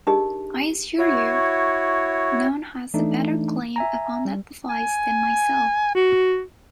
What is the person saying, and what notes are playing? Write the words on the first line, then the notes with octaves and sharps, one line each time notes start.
I assure you, none has a better claim upon that device than myself.
D4 D#4 G4 G#4 A#4 D#5
E4 F#4 C#5
E3 A3 D4 D#4
E5 G#5 A#5
G3
G#5
F#4